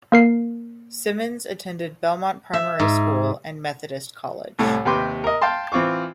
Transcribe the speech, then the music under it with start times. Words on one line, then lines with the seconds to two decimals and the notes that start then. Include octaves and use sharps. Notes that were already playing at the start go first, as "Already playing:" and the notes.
Simmons attended Belmont Primary School and Methodist College.
0.12 A#3 A#4 C7
2.53 E5
2.80 G#2
4.59 C2 A2 A4
4.85 D#2 C3 B4 G5 C6 D6
5.24 A#4 D#5
5.41 F5 G5 A5 C6
5.72 E3 C4 F4 C#6 D6